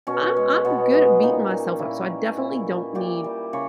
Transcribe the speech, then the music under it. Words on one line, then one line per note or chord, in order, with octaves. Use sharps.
I'm I'm good at beating myself up, so I definitely don't need
B2 C#4
G#3
B2 B3
G#3
A#2 D#4
G3
A#2 E4
G#3
A#2 E4
G3
A#2 G4
G3
C#3 C#5